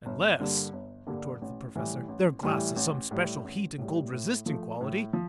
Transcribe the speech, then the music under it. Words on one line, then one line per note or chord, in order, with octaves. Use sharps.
"Unless," retorted the Professor, "their glass has some special heat and cold resisting quality."
G1
G2 D3 G3 A#3
G1
G2 D3 G3 A#3
A1
A2 E3 G3
A1
A2 E3 G3
A1
A2 G3
A1
A2 G3
A2
F3 A3
A2
F3